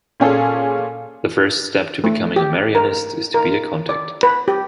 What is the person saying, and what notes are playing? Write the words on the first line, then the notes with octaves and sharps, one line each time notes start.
The first step to becoming a Marianist is to be a Contact.
A#2 C#4 G#4 A4
A3
G4
A#4
A#4
D5
B4
G4